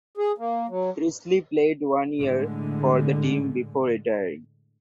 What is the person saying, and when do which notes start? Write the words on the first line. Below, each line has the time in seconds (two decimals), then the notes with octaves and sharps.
Presley played one year for the team before retiring.
0.17 G#4
0.38 A#3
0.69 F#3
2.19 A2 D3 G#3